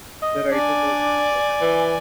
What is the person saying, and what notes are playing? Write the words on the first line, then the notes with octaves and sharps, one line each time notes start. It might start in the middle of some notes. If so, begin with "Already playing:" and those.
The writer was his brother.
D#5
D4 D5 G#5
E3